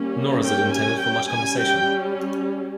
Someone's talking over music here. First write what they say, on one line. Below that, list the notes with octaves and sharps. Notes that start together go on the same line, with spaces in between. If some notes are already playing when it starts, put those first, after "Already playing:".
Nor is it intended for much conversation.
Already playing: G3 A#3 C#4
G5
G#5
G5
G3 C#4 G#5
G5